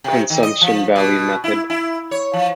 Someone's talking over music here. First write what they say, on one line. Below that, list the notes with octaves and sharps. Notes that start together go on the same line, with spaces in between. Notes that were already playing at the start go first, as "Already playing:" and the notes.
Consumption value method.
C3
D#3
D#5
F3
B2
E4
E4
C#5
F3